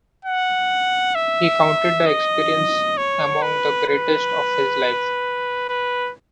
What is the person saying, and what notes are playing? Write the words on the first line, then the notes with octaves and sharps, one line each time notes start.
He counted the experience among the greatest of his life.
F#5
E5
D#5
C#5
B4
B4
B4